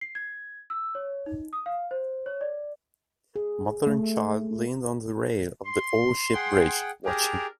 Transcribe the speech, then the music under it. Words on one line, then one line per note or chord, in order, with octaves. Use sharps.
Mother and child leaned on the rail of the old sheep-bridge, watching.
C7
G#6
E6
C#5
D#4
D#6
F5
C5
C#5
D5
G#4
A3
C6
G#4 F#5 G5
D4 G4 G#4 A#4